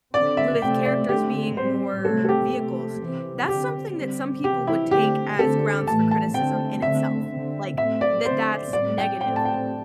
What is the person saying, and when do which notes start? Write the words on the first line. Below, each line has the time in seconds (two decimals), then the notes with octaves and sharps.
with characters being more vehicles, that's something that some people would take as grounds for criticism in itself, like, that that's negative.
0.13 D3 C4 D5
0.37 E5
0.61 C3 A3 C4 G5
0.85 D5
1.09 D3 A3 C4 G4
1.57 A2 G3 C4 C5
2.05 C3 A3 C4 A4
2.25 A4
2.29 G4
2.53 C3 A3 C4
3.00 C3 E3 C4
3.48 D3 C4 G4
3.96 D3 G3 C4
4.44 C3 E3 C4 G4
4.67 E4
4.91 D3 A3 C4 G4
5.39 D3 C4 A4
5.87 A2 E3 A3 A5
6.11 A5
6.34 D3 A3 C4 G5
6.82 D3 A3 C4 E5
7.30 D3 C4
7.78 A2 A3 C4 E5
8.01 D5
8.25 D3 C4 C5
8.73 A2 G3 C4 D5
8.98 G5
9.21 A2 A3 C4 G5
9.36 A5
9.45 G5